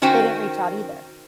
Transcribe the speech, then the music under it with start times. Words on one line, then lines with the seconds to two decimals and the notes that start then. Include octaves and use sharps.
they didn't reach out either.
0.02 D#3 C#4 F#4 C5 G5